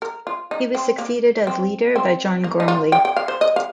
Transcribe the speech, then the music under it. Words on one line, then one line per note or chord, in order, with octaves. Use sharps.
He was succeeded as leader by John Gormley.
A#4
F4
D#4
C4
A#3
C4
C4
A#3
D#4
F4
G5
G5
F5
C5
D#5
F5